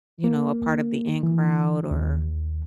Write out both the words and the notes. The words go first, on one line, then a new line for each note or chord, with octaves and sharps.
you know, a part of the in crowd, or
A#3
E3
D#2